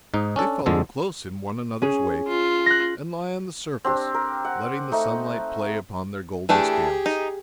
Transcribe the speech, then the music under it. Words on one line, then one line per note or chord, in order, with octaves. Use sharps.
They follow close in one another's wake, and lie on the surface, letting the sunlight play upon their golden scales.
G#2 D#4
C#4 D4 A4
F2 D3 G#3 A4
C#4 G#4
F4
F#6 A#6
C4 D4 G4
A#4
F#5
A3 D#4
E3 A3 D4 G4 G#4
D#4